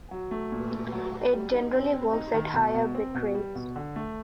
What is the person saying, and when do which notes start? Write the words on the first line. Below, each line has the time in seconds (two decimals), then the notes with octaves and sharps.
It generally works at higher bitrates.
0.11 F#3
0.31 A3
0.52 A#2
0.72 A3
0.92 F#3
1.12 F#3
1.33 G3
1.53 D#4
1.74 C4
1.94 C4
2.13 D#4
2.34 D#3
2.54 B2
2.74 B2
2.95 C4
3.15 B2
3.35 G3
3.55 B2
3.76 D3
3.96 A3